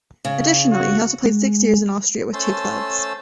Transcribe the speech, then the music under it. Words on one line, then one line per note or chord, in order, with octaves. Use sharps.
Additionally, he also played six years in Austria with two clubs.
C#3
F#4
G#3
A3 C#4 C5 A5 C6 E6